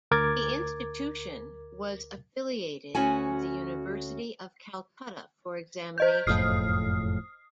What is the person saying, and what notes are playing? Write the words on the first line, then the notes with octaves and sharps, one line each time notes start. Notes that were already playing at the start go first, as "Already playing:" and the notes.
The institution was affiliated with the University of Calcutta for examination.
D2 A#4 D6 G#6 A6
D2 C#4 F#4 G#5
C5 D#5 G6
F#1 F2 A2 D#6 F6 C7